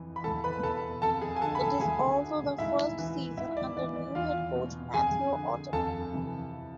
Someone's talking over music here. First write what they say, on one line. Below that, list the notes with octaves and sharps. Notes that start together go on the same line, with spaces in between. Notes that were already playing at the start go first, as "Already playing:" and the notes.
It is also the first season under new head coach Matthew Otten.
Already playing: F2 E3
B5
E2 A4 A5
B4 B5
B2 A4 A5
F2 A4 A5
G#4 G#5
G#5
D3 A4 A5
B5
A4 A5
D2 G#4 G#5
D3
G#2 E4 E5
E3
G#2 E4 E5
D5
E3 D5
D5
E2 F4 F5
B2
F2 G#4 G#5
D3
F2 A4 A5
C3 E3